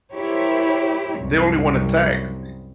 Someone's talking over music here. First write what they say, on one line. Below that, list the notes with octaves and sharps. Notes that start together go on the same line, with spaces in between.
They only want to text
E4 G4 A#4 C5 C#5
C2 F#2